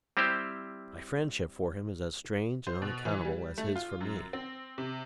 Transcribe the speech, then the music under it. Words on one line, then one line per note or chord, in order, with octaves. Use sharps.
My friendship for him is as strange and unaccountable as his for me.
G3 C4 E4 G4 C5
C5
B2
E3
G3
A3
F4
F#2
C4
C3